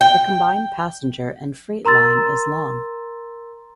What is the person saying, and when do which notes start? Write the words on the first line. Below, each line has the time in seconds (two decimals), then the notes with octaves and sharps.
The combined passenger and freight line is long.
0.01 G5
1.85 A#4 A#5 C6 E6 A6